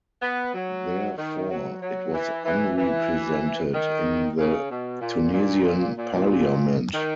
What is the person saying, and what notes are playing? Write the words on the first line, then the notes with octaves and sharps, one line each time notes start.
Therefore, it was unrepresented in the Tunisian parliament.
B3
F#3
D#3
F#3
F#3
E3
E3
E3
D#3
C#3
B2
A#2
A#2
A#2
A#2
D#3